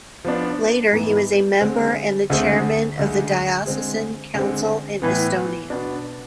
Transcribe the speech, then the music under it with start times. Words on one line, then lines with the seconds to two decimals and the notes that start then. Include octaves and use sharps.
Later, he was a member and the chairman of the Diocesan Council in Estonia.
0.24 F3 B3 D4
0.93 G#2 E3 B3
1.61 D3 G#3 C4
2.30 D2 D3 A3 C4 G#4
2.98 D2 D3 G#3
3.66 D3 G#3 C4 G#4
4.35 D3 G#3 C4
5.02 A2 E3 B3
5.70 B2 B3 D4